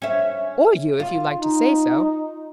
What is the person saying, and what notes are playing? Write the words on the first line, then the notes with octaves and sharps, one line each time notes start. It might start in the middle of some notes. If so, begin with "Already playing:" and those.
"Or you, if you like to say so."
C#4 E5
F4
D#4